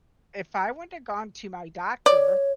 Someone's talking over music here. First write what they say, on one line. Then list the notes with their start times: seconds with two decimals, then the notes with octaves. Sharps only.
if I wouldn't have gone to my doctor,
2.06 C#5 D5